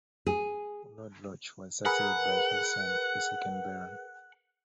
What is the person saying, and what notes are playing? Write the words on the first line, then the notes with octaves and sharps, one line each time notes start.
Lord Loch was succeeded by his son, the second Baron.
G#4
G#4 A#4 B4 F#5